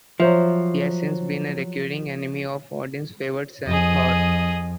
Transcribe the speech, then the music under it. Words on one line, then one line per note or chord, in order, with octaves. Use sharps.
He has since been a recurring enemy of Odin's favored son, Thor.
F3 F#3 C5 E5
F2 G#4 D#5